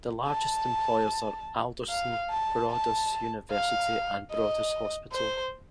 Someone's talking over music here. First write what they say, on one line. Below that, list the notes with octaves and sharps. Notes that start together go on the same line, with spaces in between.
The largest employers are Alderson Broaddus University and Broaddus Hospital.
A5
F5
A5
A5
F5
D#5
C5